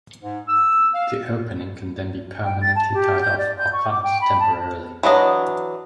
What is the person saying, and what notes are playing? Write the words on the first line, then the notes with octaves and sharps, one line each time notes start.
The opening can then be permanently tied off or clamped temporarily.
G#2
E6
F5
G5
A6
A5
G4
G6
D5
G6
C#6
D6
G5
B5
A5
E3 F#3 D4 D#5